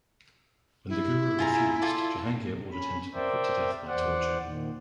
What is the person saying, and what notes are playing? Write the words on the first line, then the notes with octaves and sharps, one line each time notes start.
When the Guru refused, Jahangir ordered him to be put to death by torture.
E4
F4 G#4 A#5
F4 A4 D5
C#4 B5
A#4 C5 D5 E5 G5
E2 C5 D5 F#5
A#2 D#3